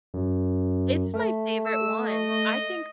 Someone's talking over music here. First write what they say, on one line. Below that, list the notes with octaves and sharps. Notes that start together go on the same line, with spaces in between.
It's my favorite one, I think
F#2
A3
E6
D#5